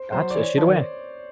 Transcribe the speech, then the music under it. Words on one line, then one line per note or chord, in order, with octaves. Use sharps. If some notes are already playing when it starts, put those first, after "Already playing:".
Gotcha, shoot away.
Already playing: C5
F#3 C5
D5
E3 C#5
F3
D#3